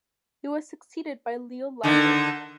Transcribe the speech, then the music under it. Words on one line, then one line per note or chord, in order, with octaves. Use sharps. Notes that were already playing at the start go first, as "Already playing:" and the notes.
He was succeeded by Leo Lambert.
D3 D#3